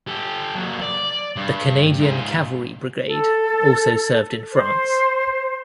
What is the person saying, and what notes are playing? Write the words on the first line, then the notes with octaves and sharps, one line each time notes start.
The Canadian Cavalry Brigade also served in France.
G4 A4
F#3 A#3
D5
G2
G#2 F4
A4
C5